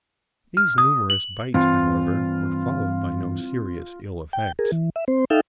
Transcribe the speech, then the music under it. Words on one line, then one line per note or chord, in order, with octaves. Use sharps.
These numerous bites, however, were followed by no serious ill effects.
F6
D#6
F#7
G2 E3 C4 F4
G5
G#4 A#4
E3
E5
C4 C5
D#4 A4 E5 F5 G5